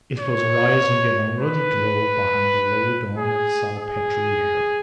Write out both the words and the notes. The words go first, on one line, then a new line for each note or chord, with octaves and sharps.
It was rising in a ruddy glow behind the low dome of Salpetriere.
C#5
B4
G#4
G#4